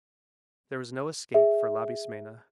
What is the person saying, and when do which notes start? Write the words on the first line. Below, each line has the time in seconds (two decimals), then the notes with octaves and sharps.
There was no escape for Labismena.
1.34 G#4 E5